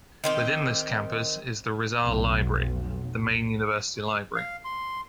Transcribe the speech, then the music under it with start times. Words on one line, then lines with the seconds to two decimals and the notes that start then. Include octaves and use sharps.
Within this campus is the Rizal Library, the main university library.
0.24 D#3 C4 G4
2.00 F1 B1
4.36 F5
4.65 C6